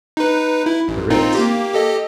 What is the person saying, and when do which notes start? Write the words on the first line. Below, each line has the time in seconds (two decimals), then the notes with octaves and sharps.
The Ritz.
0.17 D#4 B4
0.66 E4
0.88 A1
1.10 C4 D#4 F4
1.35 A#3 G4
1.73 G4 A4 D#5